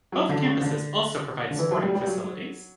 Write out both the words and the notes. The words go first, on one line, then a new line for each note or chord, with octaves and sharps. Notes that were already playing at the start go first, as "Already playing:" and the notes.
Both campuses also provide sporting facilities.
F#3
D3
C#3
D3
D3
E3
F#3
G3
G3
F#3